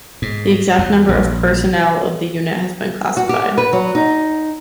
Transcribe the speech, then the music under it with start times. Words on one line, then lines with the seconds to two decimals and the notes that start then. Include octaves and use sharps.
The exact number of personnel of the unit has been classified.
0.22 G#2
0.78 E2
1.09 A#1
3.17 F#4
3.29 G4
3.58 B4
3.73 F#3
3.95 D#4